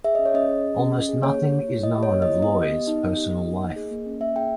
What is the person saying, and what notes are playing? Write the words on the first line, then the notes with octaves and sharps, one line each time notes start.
Almost nothing is known of Loye's personal life.
G#4 E5
C#4 D#5
C#5
C#4 D#5
G#4
G#4
C#4
C#4
G#4
A#3 C#5
G4
A#3
E4
A#3 D#5
G4
C#5
A#3
D#5
E4
B3 D#5
G4
B3
D#4
B3
G4
B3
D#4
A#3
G#4
A#3
C#4
A#3 E5
G#4 G5